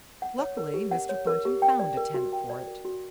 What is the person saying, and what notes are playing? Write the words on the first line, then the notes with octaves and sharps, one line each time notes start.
Luckily, Mr. Thornton found a tenant for it.
F#5
C#5
A#4
G4
F#5
C#5
A#4
G4
G5
D5
A#4
F#4
G5
D5
A#4
F#4